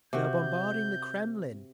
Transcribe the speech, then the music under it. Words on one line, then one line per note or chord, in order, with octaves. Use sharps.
"They are bombarding the Kremlin!"
C3 F#4 G6